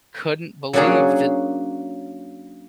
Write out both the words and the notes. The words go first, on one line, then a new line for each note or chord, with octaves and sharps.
couldn't believe that
F#3 A#3 C#4 D4 F#4 G#4